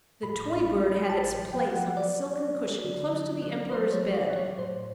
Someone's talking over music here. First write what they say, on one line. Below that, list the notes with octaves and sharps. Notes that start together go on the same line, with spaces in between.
The toy bird had its place on a silken cushion close to the Emperor's bed.
A2 B5
A1
G#3
A1 A5
F3
G5
F3
F#5
F#3 D5
F#3
F#3
D3
F#3
F#3
F#3 C5
C#5
F#3
D5
F#3
C#5
A2 C5